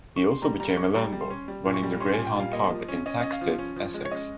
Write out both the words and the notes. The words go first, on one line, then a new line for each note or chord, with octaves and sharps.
He also became a landlord, running the Greyhound pub in Thaxted, Essex.
C#6
C6
G3 A#5
G3 A#5
C#4 C#6
G3 A#5
G3
C6
C#4
G3
A#2
C#6
G3
C#4 C6
A#2 G#5
G5
G3 F5
A#3 D#5
F3
C#4
C#4 D#5
C#4 D#5
F5
F3
C#4
F3
G#3
C#5
C#4 D#5